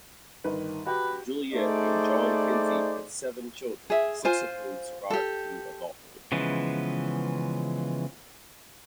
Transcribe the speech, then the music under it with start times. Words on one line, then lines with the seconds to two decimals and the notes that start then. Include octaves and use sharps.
Juliette and John Kinzie had seven children, six of whom survived to adulthood.
0.44 G1 D#3 B4
0.87 F#4 G4 B4
1.52 A3 D#4 G#4 C5 D5
3.90 G#4 E5
4.25 F4 C5 G#5
5.10 G4 A4
6.32 C#3 E3 F3 G#3 B3